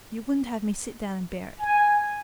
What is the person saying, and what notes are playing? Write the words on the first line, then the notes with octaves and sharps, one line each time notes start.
You wouldn't have me sit down and bear it.
G#5